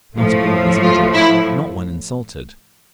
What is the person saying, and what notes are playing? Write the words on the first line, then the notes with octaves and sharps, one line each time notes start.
Not a girl was injured, not one insulted.
A2 F3 A3
F4
E4